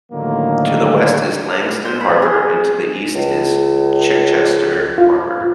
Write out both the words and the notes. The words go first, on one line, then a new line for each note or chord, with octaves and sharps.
To the west is Langstone Harbour and to the east is Chichester Harbour.
A2 D3 D#3 F3 F#3 A#3
C5
B5
G#4
C#2
F4